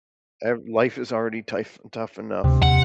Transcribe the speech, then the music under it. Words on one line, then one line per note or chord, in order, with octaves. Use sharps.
Ev life is already tife tough enough.
D2 C3
D#2 F#5